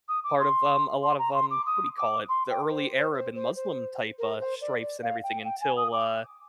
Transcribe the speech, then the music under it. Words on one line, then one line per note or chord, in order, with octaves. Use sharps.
part of um, a lot of, um, what do you call it? The early Arab and Muslim type, uh, stripes and everything until, uh
D#6
D6
C6
C6
A#5
C6
D6
D#6
D6
C6
G5
A#4
C5
C5
C5
C5
C5
A#4
C5
D5
D5
F5
G5
G5
G#5
D#6
D6